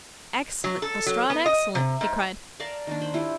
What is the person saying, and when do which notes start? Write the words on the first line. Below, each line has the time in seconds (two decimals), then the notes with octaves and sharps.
"Excellent, Lestrade, excellent!" he cried.
0.64 F#3
0.82 A4
1.06 F#3
1.30 B3
1.46 D#5
1.75 C3
2.01 G#2
2.60 A#4 D5 F5 A5
2.87 D#3 A#3 D4
3.01 C5 B5
3.14 E4 F4 G4